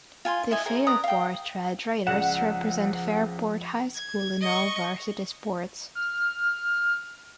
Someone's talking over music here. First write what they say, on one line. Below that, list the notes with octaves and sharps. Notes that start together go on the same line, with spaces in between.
The Fairport Red Raiders represent Fairport High School in all varsity sports.
F4 G#5 C6
E4 D#5 G#5
G#4 A#4 C5 G#5
B4 D5 A#5 D#6
F5 G5
C#2 F3 D5 F#5 E7
G#6
D#5 C#6
F6